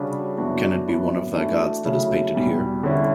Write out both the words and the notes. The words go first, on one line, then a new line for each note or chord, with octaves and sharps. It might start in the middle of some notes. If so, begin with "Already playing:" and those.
Can it be one of thy gods that is painted here?
Already playing: C#3 G3 D4 F#4
F#2 E3 B3 D4 F#4
F#2 E3 B3
E3 A3 D4 F#4
C#3 F#3 A3 E4
E2 B2 G3
D3 G3 C#4 E4